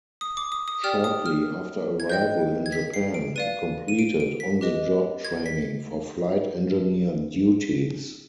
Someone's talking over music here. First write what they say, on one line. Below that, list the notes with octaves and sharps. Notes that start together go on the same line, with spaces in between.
Shortly after arrival in Japan, he completed on-the-job training for flight engineer duties.
D#6
D6
D#6
D#6
G4 D5 G5 F6
D#6
F6
G#6
B4 D#5 G5 G6
G#6
B6
C7
D7
B4 D5 F5 D#7
D#7
D7
D7
B6
G4 B4 D#5
G#6
B6